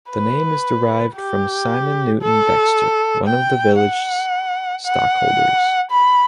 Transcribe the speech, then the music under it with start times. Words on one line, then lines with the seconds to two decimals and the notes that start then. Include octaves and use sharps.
The name is derived from Simon Newton Dexter, one of the village's stockholders.
0.11 B4
1.16 G4
2.22 A4
3.27 G5
3.80 F#5
4.86 F#5
5.91 B5